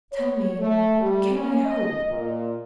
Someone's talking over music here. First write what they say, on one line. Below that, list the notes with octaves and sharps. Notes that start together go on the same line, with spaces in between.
Tell me, can I hope?
C#5
A3
G3
C#4
D#5
A#2